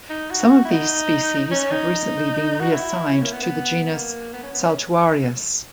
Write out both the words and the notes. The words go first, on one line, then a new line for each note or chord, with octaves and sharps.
Some of these species have recently been reassigned to the genus "Saltuarius".
D#4
F#4
E4
D#4
C#4
D#4
F#4
E4
C#4
A#3
B3
B3
A#3
B3
C#4
B3
C#4